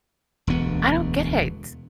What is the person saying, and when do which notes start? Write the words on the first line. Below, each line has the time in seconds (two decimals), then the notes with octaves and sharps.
I don't get it.
0.47 E1 D2 B3